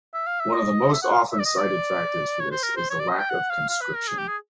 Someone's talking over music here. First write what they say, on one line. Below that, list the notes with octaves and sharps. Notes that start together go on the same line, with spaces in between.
One of the most often cited factors for this is the lack of conscription.
E5
F5
E5
D#5
E5
F#5
F5
E5
D5
D#5
D5
C#5
C5
A#4
C5
C#5
D5
D#5
G5
F#5
F5
F5
B4
A#4
G#4
G4
G#4